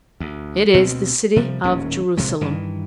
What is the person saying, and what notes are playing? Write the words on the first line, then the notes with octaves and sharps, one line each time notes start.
It is the city of Jerusalem.
D2
D2 B2 C4
C3 F3 G3
D#1 D#2 A2 C#4
A#1 C3 F3 G#3
G2 D#3 E3